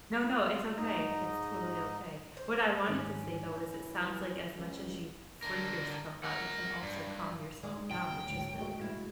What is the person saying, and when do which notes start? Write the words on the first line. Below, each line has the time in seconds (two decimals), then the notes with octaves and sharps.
No, no, it's okay. It's totally okay. What I wanted to say, though, is it sounds like as much as you freak yourself out, you can also calm yourself down, which is really good.
0.25 F4
0.77 G#2 D#4 D#5
2.37 C5
2.86 G#2 D#3 C#4 D7
3.53 E3 G#5 G6
4.57 C#2
5.42 D3 A#4
6.24 A#4 F#5
6.82 G2
7.63 G#3 G#4 D5
7.77 D#4
7.91 C#3 F#3 G5
8.25 A1 D2 G#2
8.60 G#3 A3 F#4
8.81 G2 C#3 E4